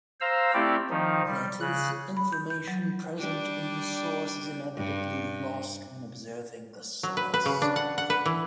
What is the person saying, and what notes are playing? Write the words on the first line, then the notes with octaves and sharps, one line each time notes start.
That is, information present in the source is inevitably lost when observing the source.
C5 F5 A#5 E6
A3 C4 E4 G4 D5
D#3 F3 D#4
G3
C#3 F#6
B5
G6
G6
F#3
G3 D4
G2
F#3
B4
B4
C#3
D4
F#5
F#5
B4
E3